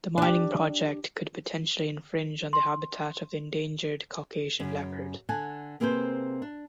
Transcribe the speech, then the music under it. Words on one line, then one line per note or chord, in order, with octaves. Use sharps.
The mining project could potentially infringe on the habitat of the endangered Caucasian leopard.
D4 G4
C6
F#2 C#3
D3 F#5 G#5 A5
C3 A#3 C4 G#4 B4 C5
D4